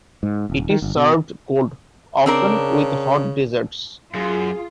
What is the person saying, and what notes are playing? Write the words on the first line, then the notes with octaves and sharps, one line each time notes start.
It is served cold, often with hot desserts.
G#2
D#1
D#3
G1
B2
C#3 C4 D4 A#4
F#2 F4 G#4